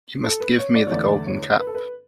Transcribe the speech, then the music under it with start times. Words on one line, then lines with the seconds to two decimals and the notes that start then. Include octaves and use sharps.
You must give me the Golden Cap.
0.24 A4
0.40 B4
0.58 C#5
0.75 D5
0.87 C#5
0.91 E2 D3 A3 D5
1.26 C#5
1.59 B4
1.67 A4
1.75 B4